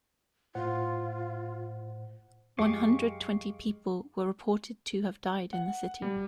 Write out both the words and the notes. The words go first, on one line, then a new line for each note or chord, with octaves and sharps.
One hundred twenty people were reported to have died in the city.
A2 F4 C5 F#5
F#2 G#3 G4 F5 C#6 D6
F#5
G3